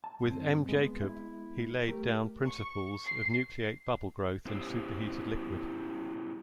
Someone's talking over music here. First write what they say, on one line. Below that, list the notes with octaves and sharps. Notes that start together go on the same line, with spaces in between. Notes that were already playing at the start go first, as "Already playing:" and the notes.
With M. Jakob he laid down principles of nucleate bubble growth in superheated liquid.
A5
G2 C4
G#3 B3
E4
A3 G4 A#4
C#6
C7
B3 C#4 E4 G4 C5